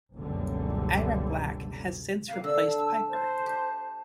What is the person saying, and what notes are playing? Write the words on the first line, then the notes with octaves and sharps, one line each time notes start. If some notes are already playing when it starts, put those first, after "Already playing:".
Ira Black has since replaced Piper.
F#1 C#2 F#2 B2 D3 G3
C3 A#3 F5
D3 E6
A5
C5
G4 A5